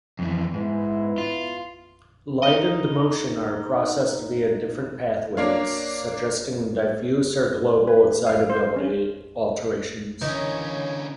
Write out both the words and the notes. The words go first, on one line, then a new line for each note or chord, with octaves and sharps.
Light and motion are processed via different pathways, suggesting diffuse or global excitability alterations.
F2 E3
G#2 B3 E4
F4
D#4 D#5
A#3 D4 C#5 F5
B4
F5
C5
C#4
D3 E3 A#3 C#4 D#4 C#5